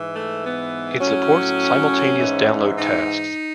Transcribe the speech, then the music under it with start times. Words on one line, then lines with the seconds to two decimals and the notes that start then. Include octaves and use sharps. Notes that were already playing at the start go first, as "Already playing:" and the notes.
It supports simultaneous download tasks.
Already playing: G#2 E3
0.12 A3
0.42 B3
1.00 A2 F#3 C#4
2.17 G#2 E3
2.75 D#4